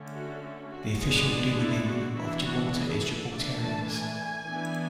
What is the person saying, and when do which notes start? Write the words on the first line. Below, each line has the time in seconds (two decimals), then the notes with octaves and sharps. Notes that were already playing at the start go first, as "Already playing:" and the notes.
The official demonym of Gibraltar is "Gibraltarians".
Already playing: D3 A3 C#4
0.14 F#4
0.71 F#4
1.00 G#3 B3 D4 G#4
1.58 E4
1.86 F#4
2.14 E3 B3 D4 E4
2.43 F#4
2.72 G#4
3.01 A4
3.30 E3 A3 D4 D5
3.59 A5
3.88 G#5
4.45 E3 B3 D4